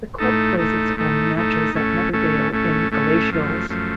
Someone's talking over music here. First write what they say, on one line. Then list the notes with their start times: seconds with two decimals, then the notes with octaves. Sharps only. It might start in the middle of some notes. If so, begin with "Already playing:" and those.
The club plays its home matches at Netherdale in Galashiels.
0.19 A2 A3 D#4 A4
0.58 A2 A3 D#4 A4
0.97 A2 A3 D#4 A4
1.36 A2 A3 D#4 A4
1.74 A2 A3 C#4 A4
2.13 A2 A3 C#4 A4
2.52 A2 A3 C#4 A4
2.91 A2 A3 C#4 A4
3.30 F#2 F3 A3
3.69 F#2 F3 A3